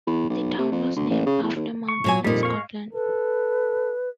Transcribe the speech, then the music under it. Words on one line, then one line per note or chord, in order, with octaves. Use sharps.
The town was named after a mountain in Scotland.
E2
B1
C3
F2
D2
A1
C#3
E2
D#2
C#6
A#2 F#3 G#5
F2 A#2 G3 D#4
G#3 F5 C#6
A4 B4